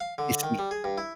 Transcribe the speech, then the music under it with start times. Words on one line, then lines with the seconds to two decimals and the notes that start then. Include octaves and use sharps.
you see
0.01 F5
0.18 D3
0.43 D#3
0.59 G3
0.71 G#4
0.84 G2
0.98 E4